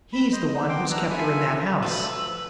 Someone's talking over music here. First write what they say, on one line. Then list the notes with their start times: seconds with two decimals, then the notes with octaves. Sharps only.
He's the one who's kept her in that house.
0.13 B5
0.32 C5 D#5
0.54 D#4
0.69 B3 G5 C6 D6
0.91 B3 D4 E4 A#5 E6 F#6
1.10 F4 A4 E5 G#5 B5
1.83 F3 A3 F#4 A4 B4 C5 D5
2.00 A4 E6